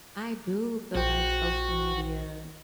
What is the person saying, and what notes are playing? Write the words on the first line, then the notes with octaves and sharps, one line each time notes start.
I do feel like social media
A#1 F#4 C5 G5